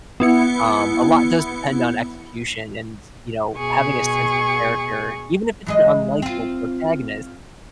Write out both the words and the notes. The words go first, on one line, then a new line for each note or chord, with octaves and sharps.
Um, a lot does depend on execution, and, you know, having a sense of character, even if it's an unlikeable protagonist.
B3 E4 C#7
B2 G#4 C#6
E3 G#3 D#5
C4 F4